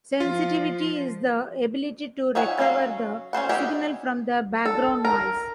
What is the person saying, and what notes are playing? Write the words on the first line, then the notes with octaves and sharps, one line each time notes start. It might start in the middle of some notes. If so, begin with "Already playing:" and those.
Sensitivity is the ability to recover the signal from the background noise.
F3 F4
D#4 C#5 E5 F#5 G#5
F#3 C#4 F#4 F5
C#4 D#4 C5 F#5
D#4 G4 G#4 E5 F#5
A4
A#4